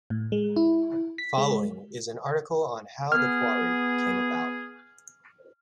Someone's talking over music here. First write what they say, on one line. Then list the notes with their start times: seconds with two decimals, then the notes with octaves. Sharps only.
Following is an article on how the quarry came about.
0.10 A2
0.32 G#3
0.56 E4
1.18 B6
1.38 G#3
3.12 B3 G#4 F6